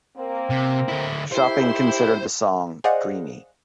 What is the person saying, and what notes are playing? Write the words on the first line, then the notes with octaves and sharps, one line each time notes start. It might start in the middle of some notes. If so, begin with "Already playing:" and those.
Shopping considered the song "dreamy".
A#3 C4
C3
D3 E4
D#2 E4 G4 C5
G#4 C5 D5 D#5 F5 F#5